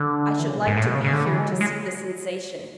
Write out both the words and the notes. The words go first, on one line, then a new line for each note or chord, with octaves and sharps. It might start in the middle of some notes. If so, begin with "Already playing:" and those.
I should like to be here to see the sensation.
Already playing: D3
E3
C#3
B2
G#2
A2
B2
C#3
C#3
D3
E3
G#3
F#3
G#3